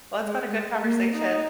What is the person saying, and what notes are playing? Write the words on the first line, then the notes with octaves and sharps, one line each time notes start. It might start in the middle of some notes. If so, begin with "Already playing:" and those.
Well, it's been a good conversation.
G#3
G#3
A#3
D#4